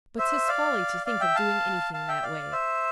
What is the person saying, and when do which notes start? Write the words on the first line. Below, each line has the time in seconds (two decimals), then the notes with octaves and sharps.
But 'tis folly to think of doing anything that way.
0.19 C5 E5
0.48 D5 F5
1.06 D5 F5
1.21 E5 G5
1.35 F5 A5
1.94 F5 A5
2.08 E5 G5
2.23 D5 F5
2.52 C5 E5